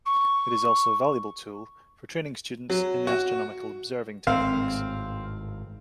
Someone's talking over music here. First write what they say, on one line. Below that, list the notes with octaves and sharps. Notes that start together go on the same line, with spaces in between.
It is also a valuable tool for training students in the astronomical observing techniques.
C#6
F#3
F#4
G#1 A2 C4 F5